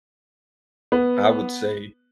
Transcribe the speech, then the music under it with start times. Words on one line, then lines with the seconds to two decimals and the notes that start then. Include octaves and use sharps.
I would say,
0.92 B3